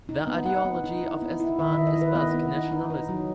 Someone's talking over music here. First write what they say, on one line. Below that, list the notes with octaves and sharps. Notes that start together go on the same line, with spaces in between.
The ideology of Esteban is Basque nationalism.
D#4
B3
D#4 F#5
B3
D#4
E4
B3
E4
D#3 E5
D#3 D#5
D#5
E4
B4
B3 D#5
B3
D#4
D#4
D#4
F#3